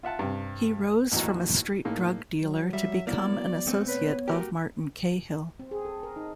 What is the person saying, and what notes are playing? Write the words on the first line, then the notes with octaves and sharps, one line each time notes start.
He rose from a street drug dealer to become an associate of Martin Cahill.
F4 E5 F#5 A5
G2 C3
A1 D#2 E3 F#4 A#5
A2 A#3 D#4 G#4
F#3
G3 E5
A#3 B3 E4 D5
A#2 A3 C4
B4 C#5
A3 F#4 G4 A#4
C4
G#4
A4
A#4
D#4